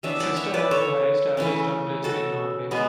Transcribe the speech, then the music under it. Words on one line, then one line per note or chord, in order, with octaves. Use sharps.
Fister has the highest average temperature in Norway.
E3 B3 D4 C#5 E5
D5 F#5
C#5 E5
B4 D5
A4 C#5
C#3 E3 A3 C#4
F#4 A4
B2 G#3 B3